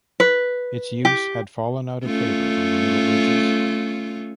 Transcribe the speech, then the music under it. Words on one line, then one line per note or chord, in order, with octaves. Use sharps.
Its use had fallen out of favour by the Middle Ages.
B4
G4
A3 C#4 F4